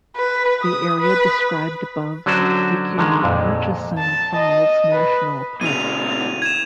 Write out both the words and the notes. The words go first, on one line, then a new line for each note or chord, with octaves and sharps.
The area described above became Murchison Falls National Park.
B4
D#6
B4
D3 F#3 C#4 D4 F#4 C5
D3 D#3 G#3
F2 A#2
A5
D#5
B4
A#2 C#3 D#7 F7
G#6 E7